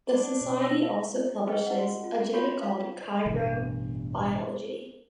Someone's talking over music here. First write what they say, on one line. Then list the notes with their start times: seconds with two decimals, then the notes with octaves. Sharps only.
The Society also publishes a journal called "Cryobiology".
0.09 D4
0.41 B2
0.62 E6 A#6
0.82 E5 F5 A5
1.47 D#4 G#4 B4 D#5 G5
1.66 E4 F#5
1.78 F#4
2.04 F4
2.34 F4 F#4 C#5 B5 C#6
2.62 D#4 F5
3.26 A1 G2 B2 E3